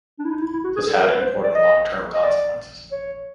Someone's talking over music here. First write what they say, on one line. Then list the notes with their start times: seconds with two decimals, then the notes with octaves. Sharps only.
This had important long-term consequences.
0.19 D4
0.25 E4
0.30 D#4
0.41 E4
0.53 E4
0.64 F#4
0.76 G#4
0.87 A4
0.98 A#4
1.09 B4
1.21 C5
1.44 D5
1.55 D#5
2.14 D#5
2.23 D5
2.92 C#5